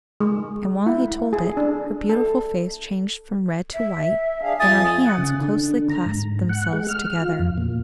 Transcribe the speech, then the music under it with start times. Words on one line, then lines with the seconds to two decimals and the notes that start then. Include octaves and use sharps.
And while he told it, her beautiful face changed from red to white, and her hands closely clasped themselves together.
0.20 G#3
0.86 E4
1.33 G#4
1.57 D4
2.09 A4
3.74 E5
4.42 D4 G#4 F5
4.60 F2 F3 G#5 D#6 A6
5.06 F#5
5.18 C#3
5.41 D3
5.90 A#5
6.06 G#2
6.49 F#5
6.73 G#3
6.88 F6
7.21 F4
7.39 F2
7.58 A#2